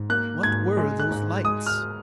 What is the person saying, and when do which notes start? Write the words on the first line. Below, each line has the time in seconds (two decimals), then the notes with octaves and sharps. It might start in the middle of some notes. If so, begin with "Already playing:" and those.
What were those lights?
Already playing: G#2
0.09 A#3 F#6
0.43 G#2 G#6
0.77 G#3
1.00 F#6
1.11 G#2
1.44 G#3 D#6
1.66 F6